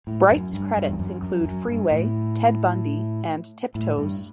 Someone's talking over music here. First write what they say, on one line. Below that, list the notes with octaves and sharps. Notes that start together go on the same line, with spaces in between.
Bright's credits include "Freeway", "Ted Bundy", and "Tiptoes".
A2
F#2
G2
G2
E2
F#2
F#2
F#2
G2
A2
A2
G2